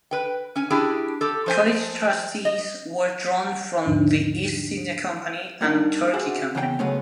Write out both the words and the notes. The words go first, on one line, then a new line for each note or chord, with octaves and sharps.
College trustees were drawn from the East India Company and Turkey Company.
B4 G5
C#4 G#5
D4 E4 G4 G#4
G4 A4
F3 C5 G#5
D#5
D#2 G#2 D3 F3 D4 D#4
G2 A#3 D4 D#4
F#4 G#4 C5 D5 E5 F#5
E2 C#3 A#4 G5
C#3 F#3 G#3 A3 B3 C#4